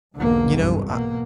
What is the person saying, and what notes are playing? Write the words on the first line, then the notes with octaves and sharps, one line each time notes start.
You know, uh,
B1 E2 G#2 D3 A#3
C2 G2
B2 A#3